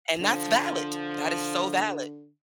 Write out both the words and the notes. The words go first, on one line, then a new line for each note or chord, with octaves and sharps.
And that's valid. That is so valid.
D3 F3